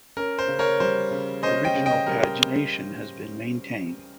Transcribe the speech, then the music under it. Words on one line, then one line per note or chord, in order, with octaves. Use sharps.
Original pagination has been maintained.
C#4 A#4
C5
C#3
A#4 C#5
G3 C5
C#3
C#4 C5 D#5
D#5 G5
C#3
D#5 G5
G3 A#4